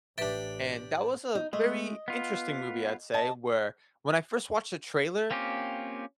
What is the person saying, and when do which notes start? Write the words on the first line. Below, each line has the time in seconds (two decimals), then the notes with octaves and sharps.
and that was a very interesting movie, I'd say, where when I first watched the trailer,
0.18 A1 D4 G4 B4 E5 G5 A6
1.35 D#4
1.53 G#3 A3 D#5
2.08 B3 F4
3.13 D#5 A5
5.31 A#3 C4 C#4 F4 G4